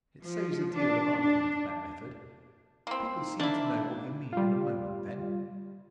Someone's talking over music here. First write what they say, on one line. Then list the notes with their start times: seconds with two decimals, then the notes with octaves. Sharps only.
It saves a deal of argument, that method. People seem to know what you mean in a moment then.
0.21 F3
0.74 D4
1.18 D4
2.87 A#3 C4 E4
3.15 D#4
3.40 A#3 D4 E4
4.33 G3 F4